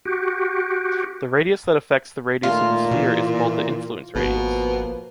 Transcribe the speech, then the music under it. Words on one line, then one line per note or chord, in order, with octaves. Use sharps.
The radius that affects the radius of the sphere is called the “influence radius”.
F#4 G4
A#2 D#3 A3 F4
B2 E3
G#1 B2 F3 A#3 B4